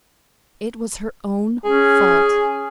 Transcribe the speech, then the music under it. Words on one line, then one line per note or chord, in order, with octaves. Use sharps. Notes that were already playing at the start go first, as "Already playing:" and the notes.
It was her own fault.
C#4 G#4